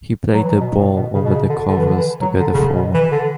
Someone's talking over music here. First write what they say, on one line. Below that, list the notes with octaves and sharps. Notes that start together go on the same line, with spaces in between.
He played the bowl over the covers to get a four.
F#3
E3
F#3
B2
A2
B2
C#3
B2
C#3
D3
D3
E3
D3
E3
F#3
D3
C#3
D3
B2
E3
D3